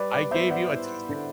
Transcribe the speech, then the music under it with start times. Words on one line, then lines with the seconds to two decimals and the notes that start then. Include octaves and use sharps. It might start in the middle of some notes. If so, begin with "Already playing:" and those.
I gave you a test
Already playing: G3 B4 D5
0.12 B4 D5
0.22 D5
0.31 B3 C5 E5
0.50 D5 F#5
0.70 E4
1.09 D3